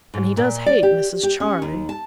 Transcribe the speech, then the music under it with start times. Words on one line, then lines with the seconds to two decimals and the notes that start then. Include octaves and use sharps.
And he does hate Mrs. Charley.
0.14 G#2
0.37 A#2
0.66 D5
0.83 G4
1.23 G4
1.40 C#4
1.62 D#2
1.89 A5